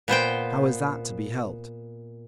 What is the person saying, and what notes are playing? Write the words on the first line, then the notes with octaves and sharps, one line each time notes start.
How is that to be helped?
A#2 B3 C5 G5